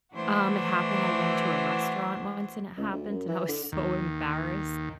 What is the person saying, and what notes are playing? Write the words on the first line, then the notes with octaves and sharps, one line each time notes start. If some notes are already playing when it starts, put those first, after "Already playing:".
Um, it happened I went into a restaurant once, and it happened, and I was so embarrassed.
E3 A3 D4 E4 F#4 C5
C#2
D2
F#2
E3
D3
D#2